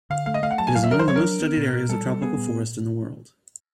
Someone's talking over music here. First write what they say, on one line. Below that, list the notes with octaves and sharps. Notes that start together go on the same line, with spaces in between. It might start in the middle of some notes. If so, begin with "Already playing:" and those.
It is among the most-studied areas of tropical forest in the world.
D3 F5
A3 F5
D#5
A3 F5
F#5
F#3 A5
G#5
F#3 F5
E5
F#3 A#4
C5
F#3 C#5
A#4
D4
B3
A#2
A#2
G3 A4
G3
B3 G#4
A#2